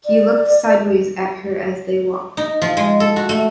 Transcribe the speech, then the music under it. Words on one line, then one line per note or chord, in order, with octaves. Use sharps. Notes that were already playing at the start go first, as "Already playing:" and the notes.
He looked sideways at her as they walked.
D5
D#4
F3
G#3
A4
F#4
A3